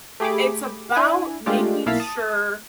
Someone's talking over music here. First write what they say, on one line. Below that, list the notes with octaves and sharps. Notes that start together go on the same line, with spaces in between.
it's about making sure
A3 G4 G#4 B5 D6
D4 E4 G#5
G#3 A3 D4 F4 G4
B1 A#3 E4 F5 A5 B6
A5 D#6